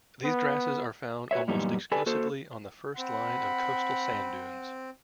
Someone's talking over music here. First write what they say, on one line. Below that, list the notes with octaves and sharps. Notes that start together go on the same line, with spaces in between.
These grasses are found almost exclusively on the first line of coastal sand dunes.
B3
F#4 B4 C#5 E5
F#2 A#2 E3 G3 B3 D#4
G4 A4 B4 D5 G#5
A#3 F#4 A4 C5
C4 F#5 B5